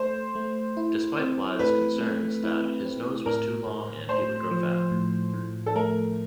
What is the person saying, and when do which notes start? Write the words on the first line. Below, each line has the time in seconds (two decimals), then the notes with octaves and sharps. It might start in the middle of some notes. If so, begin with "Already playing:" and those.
Despite Blythe's concerns that 'his nose was too long and he would grow fat'.
Already playing: A3 C5
0.35 A3
0.77 E4
1.18 C4
1.59 A3 B4
2.01 A3
2.43 E4
2.85 C4
3.26 A2 A#4
3.67 A2
4.08 A3 C5
4.51 F3
4.92 A2
5.34 A2
5.66 A4
5.76 A3 A#4